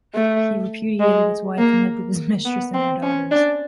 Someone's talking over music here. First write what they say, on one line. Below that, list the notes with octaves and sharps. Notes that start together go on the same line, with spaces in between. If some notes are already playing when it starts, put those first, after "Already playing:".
He repudiated his wife and lived with his mistress and their daughters.
A3
G#3
A#3
B3
C4
C#4
D4